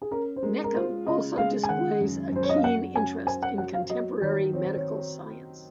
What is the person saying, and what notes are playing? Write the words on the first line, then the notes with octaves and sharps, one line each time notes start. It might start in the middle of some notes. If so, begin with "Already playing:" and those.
Neckam also displays a keen interest in contemporary medical science.
G#4
C#4 A#4
C5
G#3 A#4
A#4
F4 C5
C#3 D#5
G#3 F5
G#5
D#3 F#5
F#2
F#2 C5
C#5
D#5
F5
F#4 F#5
C#4 G#5
C5 G#5
F#5
F#3 F#5
F5
F#3 D#5
D#3 C#5
C4 C#5
C5
C#5